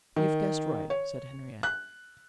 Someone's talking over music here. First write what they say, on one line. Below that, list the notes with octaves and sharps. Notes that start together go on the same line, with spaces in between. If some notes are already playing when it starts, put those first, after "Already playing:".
"You've guessed right," said Henriette.
D#3
C#5
F#6